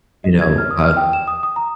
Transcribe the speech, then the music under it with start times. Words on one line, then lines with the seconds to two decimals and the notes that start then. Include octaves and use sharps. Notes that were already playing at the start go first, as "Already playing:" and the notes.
you know, uh
0.24 D#5
0.41 G#6
0.58 F6
0.71 D#6
0.84 F6
0.97 G5
1.13 E7
1.27 D#6
1.43 D#6
1.56 A#5